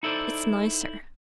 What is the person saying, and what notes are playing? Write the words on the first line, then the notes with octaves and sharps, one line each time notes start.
"It's nicer."
D#4 E4 A4 C5 D5